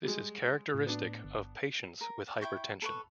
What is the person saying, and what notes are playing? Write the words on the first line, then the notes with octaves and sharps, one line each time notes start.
This is characteristic of patients with hypertension.
G3 G#3
A2
B3 D4
G1
A#4
D5
E4 C5 G5 C#6
A4 B4 C#6